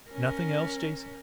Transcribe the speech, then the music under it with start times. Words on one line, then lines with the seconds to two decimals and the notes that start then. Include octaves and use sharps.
"Nothing else, Jason?"
0.11 C#4 A#4